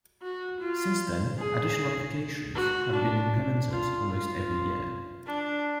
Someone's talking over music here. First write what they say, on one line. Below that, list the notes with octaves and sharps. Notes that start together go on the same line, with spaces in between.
Since then, additional applications have been implemented almost every year.
F#4
F4
G#4
F#4
D4
F4
F4
D4